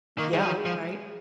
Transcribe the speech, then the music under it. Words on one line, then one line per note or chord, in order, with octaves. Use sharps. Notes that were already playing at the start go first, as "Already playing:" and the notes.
Yeah, right?
D#3 A#3
D#3 G#3
F3 F#3
G#3
F3